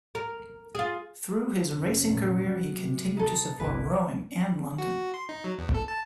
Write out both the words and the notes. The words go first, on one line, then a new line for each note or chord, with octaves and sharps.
Through his racing career he continued to support rowing and London.
A#4
F4 G#4
F1 C#4
A#2
F#3
C3
D#4 A4
G1 C2 E4 B4
F#4
C6
D#4
F#3
E2
A4
A5